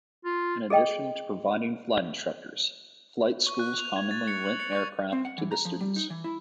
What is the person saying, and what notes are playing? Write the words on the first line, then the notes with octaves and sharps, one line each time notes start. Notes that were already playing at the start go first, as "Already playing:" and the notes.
In addition to providing flight instructors, flight schools commonly rent aircraft to the students.
F4
G#4 A4 D#5 G5
C#6
F#6
F7
G#6
A6
C#7
F#7
C#7
C#6
C4
F#5
E3
A#5
F3
G3
D#4
E3
E4